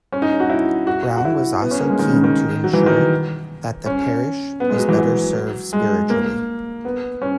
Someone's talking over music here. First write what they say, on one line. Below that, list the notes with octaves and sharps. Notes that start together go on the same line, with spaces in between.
Browne was also keen to ensure that the parish was better served spiritually.
C#4
D#4
F#4
E4
F#4
F#4
E4
B3
C#4
A#3
G#3
D#3
C#3
D#3
F#3
E3
D#3
C#4
B3
G#3
F#3
E3
F#3
G#3
A#3
B3
C#4